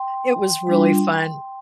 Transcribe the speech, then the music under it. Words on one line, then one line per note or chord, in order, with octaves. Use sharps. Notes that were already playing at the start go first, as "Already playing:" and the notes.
It was really fun.
Already playing: G5 C6
G3 D4 F4